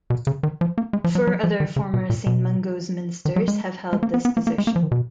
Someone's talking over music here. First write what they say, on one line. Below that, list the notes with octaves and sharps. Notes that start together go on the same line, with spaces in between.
Four other former Saint Mungo's ministers have held this position.
B2
C#3
D#3
F3
A#3
G#3
F3
F#3
F#3
F3
D#3
C#3
B2
A#2
B2
D#3
F#3
G#3
G#3
A#3
B3
B3
A#3
A#3
G#3
A#3
F3
D#3
B2